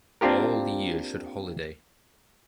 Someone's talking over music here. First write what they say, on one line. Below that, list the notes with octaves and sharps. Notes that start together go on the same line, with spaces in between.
All year should holiday.
A#3 C4 D4 F4 G4 A#4